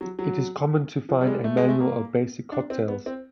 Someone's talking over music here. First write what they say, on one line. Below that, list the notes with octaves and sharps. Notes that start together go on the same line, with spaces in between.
It is common to find a manual of basic cocktails.
F#3
F#3
F3
G3
G#3
G3
A3
G#3
A3
A#3
D4
C4
B3
C4